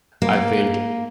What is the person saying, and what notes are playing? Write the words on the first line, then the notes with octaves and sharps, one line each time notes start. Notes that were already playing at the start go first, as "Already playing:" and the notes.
I think,
A#3